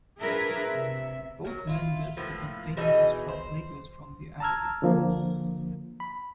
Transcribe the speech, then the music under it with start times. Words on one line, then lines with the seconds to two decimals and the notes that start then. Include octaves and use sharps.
Both men were to become famous as translators from the Arabic.
0.20 D4 F4 G#4 A#4 B4 E5
0.72 C3 E5
1.45 F#3 A#4
1.67 E4 F4
2.17 A2 F3 A#3 B3
2.77 B2 E3 D#4 G#4
3.28 C5
4.40 A5 A#5 E6 F6 G#6
4.82 D3 F3 A#3
6.00 B5